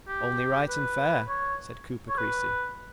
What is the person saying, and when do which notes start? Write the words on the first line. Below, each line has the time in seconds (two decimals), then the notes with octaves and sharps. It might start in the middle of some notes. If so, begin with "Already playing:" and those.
"Only right and fair," said Cooper Creasy.
0.08 G4
0.68 B4
1.28 C#5
2.09 C#5
2.18 B4